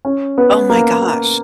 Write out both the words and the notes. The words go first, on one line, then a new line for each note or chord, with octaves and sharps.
Oh my gosh.
C#4
B3
A#3